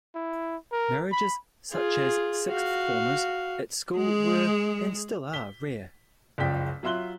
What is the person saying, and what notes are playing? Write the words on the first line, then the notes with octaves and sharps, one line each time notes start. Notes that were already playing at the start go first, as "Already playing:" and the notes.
Marriages such as sixth-formers at school were and still are rare.
E4
A#4
B5
F4 G#4
F#4 F5
G#3 G#4
B6 G7
F#1 C#2 F3 D5 G5 B6
F#3 F4 E5 C6 F#6 G7